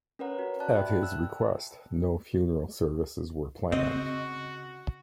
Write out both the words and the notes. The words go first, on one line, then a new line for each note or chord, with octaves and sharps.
At his request, no funeral services were planned.
C#4 A#4 B4 C#5 F#5 A#5
F#4
D5 A5 F#6
E5 G5 B5
E6 F#6
C#3 C4 F#4 D#5